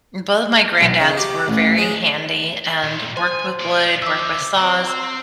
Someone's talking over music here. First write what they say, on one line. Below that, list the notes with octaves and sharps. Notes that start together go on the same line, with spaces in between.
both my granddads were very handy and worked with wood, worked with saws.
B1
C#3
G4
A1
G#3
A#2 E3
C5 G#5 C6
F4 D5
D3 E5 D6 E6
C4
E6